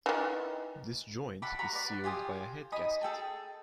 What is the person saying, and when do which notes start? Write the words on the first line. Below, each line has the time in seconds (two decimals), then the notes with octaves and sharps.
This joint is sealed by a head gasket.
0.06 D#3 E3
1.42 A4 F#5 B5 D6
1.59 F#5 A#5 B5 C#6
1.73 B4 D5
2.04 F4 G4 G#5 D#6
2.72 D#4 G#5 B5 D#6
3.01 G#4 A4 G5 A5